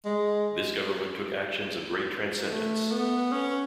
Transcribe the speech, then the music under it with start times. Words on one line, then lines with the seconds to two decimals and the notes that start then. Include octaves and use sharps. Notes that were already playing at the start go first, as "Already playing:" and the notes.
This government took actions of great transcendence.
0.05 G#3
2.51 A3
2.91 B3
3.32 C#4